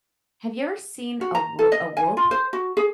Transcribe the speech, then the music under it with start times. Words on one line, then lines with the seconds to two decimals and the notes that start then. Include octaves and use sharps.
have you ever seen a W a Whoop?
1.21 F#4
1.35 A#5
1.59 A4
1.72 D#5
1.97 G#5
2.17 F4
2.31 C5
2.53 F#4
2.77 G#4